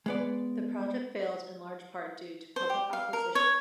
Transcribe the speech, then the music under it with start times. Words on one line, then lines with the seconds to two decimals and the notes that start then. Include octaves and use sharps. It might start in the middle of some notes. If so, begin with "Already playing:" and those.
The project failed in large part due to public opposition.
0.06 G#3 B3 D5
2.56 C5
2.70 G4
2.93 F5
3.13 A#4
3.35 C#5